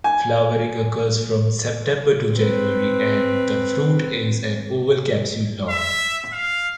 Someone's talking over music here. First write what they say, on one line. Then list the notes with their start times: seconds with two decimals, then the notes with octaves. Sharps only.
Flowering occurs from September to January and the fruit is an oval capsule long.
0.04 G#5
2.34 C4 B4
5.69 E5
6.32 F5